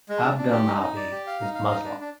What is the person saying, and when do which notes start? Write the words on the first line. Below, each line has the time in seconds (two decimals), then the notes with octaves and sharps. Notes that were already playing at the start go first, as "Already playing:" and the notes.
Abdelnaby is Muslim.
0.09 G#3
0.23 D4
0.37 D4
0.52 G4
0.67 D#4
0.82 D#4
0.96 D5
1.11 G4
1.27 F5
1.41 D#4
1.55 F5
1.71 D#4
1.85 D4
2.00 D4